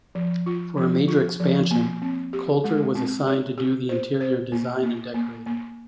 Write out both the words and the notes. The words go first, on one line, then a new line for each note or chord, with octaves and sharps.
For a major expansion, Colter was assigned to do the interior design and decorating.
F3
F4
F3
F4
F3
A#3
C4
G4
G#3
C4
C#5
G4
C5
C5
A#3
A#3
A#3
A#3